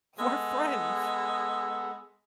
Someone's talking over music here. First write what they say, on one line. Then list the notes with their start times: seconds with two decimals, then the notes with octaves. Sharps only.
We're friends.
0.19 G#3 B3 A4